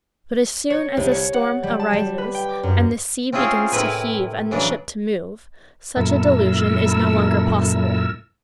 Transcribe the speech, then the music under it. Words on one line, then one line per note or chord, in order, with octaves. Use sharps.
But as soon as a storm arises and the sea begins to heave and the ship to move, such a delusion is no longer possible.
C#5
C2
C#5
F#5
G3
A5
G3
B4
G5
D6
F#2
C4 C#4 E4 F4 G#4 C5
A2 C3 E4 A#4 B4 G#5
C#3 E3 F#3 D4
F#2 A#2 E4 A4 A#4 E6